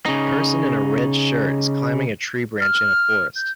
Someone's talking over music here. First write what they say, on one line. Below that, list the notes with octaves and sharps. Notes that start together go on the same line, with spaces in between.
A person in a red shirt is climbing a tree branch in a forrest.
C#3 D#4
F6
G6